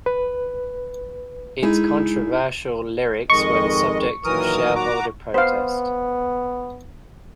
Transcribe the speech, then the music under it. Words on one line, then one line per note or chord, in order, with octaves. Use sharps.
Its controversial lyrics were the subject of shareholder protest.
B4
G#3 D#4 E4 G#4
F2 D#3 G#3 D#5 C#6
A#2 D#3 E3 F#3 A#4 D#6
F#4 A#5 D6
B3 C5 F5